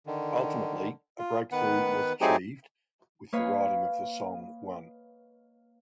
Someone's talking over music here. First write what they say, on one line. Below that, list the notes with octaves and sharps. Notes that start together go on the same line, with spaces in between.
Ultimately, a breakthrough was achieved with the writing of the song "One".
D3 D#3
F4
D#3 B3 B4 F#5
F#3 A3 C4 D#4 G4 G#4
A#3 B4 C#5 D#5 F5 B5